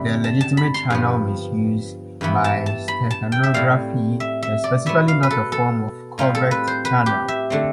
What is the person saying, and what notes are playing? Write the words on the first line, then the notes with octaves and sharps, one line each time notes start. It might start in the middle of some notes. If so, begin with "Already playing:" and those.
The legitimate channel misuse by steganography is specifically not a form of covert channel.
Already playing: G2 D3 A3 C4 B5
A5
A5
B5
C6
G2 F3 B3
G2 E3 B3 B5
A5
A5
B5
A5
G5
E5
A2 G3 C4 F5
E5
E5
D5
B2 B3 E5
F5
B4
A4
A4
A2 G3 C4 F4
A4
B4
C5
B4
G4
E5
D3 A3 C4